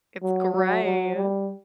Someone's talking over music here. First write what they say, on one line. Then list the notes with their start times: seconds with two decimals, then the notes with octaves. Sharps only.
It's gray.
0.22 F#3
0.54 F#3
0.85 F#3
1.16 G3